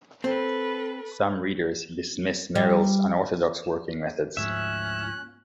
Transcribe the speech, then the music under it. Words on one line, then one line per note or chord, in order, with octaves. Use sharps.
Some readers dismiss Merrill's unorthodox working methods.
C4 A4 B4
G3
D2 G#2 F3 C#4 E5 F#6